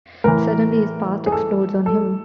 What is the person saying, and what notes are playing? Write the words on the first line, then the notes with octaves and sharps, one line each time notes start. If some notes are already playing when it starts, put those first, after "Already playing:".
Suddenly his past explodes on him.
A2 E3 A#4
G#4
A4
A4